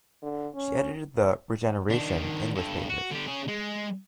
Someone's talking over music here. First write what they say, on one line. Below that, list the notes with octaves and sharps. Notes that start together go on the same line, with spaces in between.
She edited the "Regeneration" English pages.
D3
C#4
D#3 D4
G2 A4
F#4
D3 G4
C#4 G#4
G#3